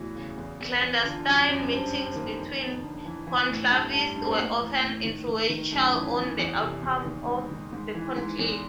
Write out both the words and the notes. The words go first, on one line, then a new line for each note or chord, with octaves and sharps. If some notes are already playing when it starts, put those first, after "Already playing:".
Clandestine meetings between conclavists were often influential on the outcome of the conclave.
Already playing: E2 A2 E3 F#4
C#3
E2
E2
E2
D3 F4
F#2 D4
F#2 C#4
G2 C4
G2
D#3 A#3
F2
F2
D3
E3
E3
A2
G2 A3
G2
G2
C4
B3
A2 A#3
E3
A2
D#3
D#3
D#3
F#2 A3
E3
E3
E2
C3
E2
D#3 A#3
G#2
D#3
G#2
E3
G#2
E2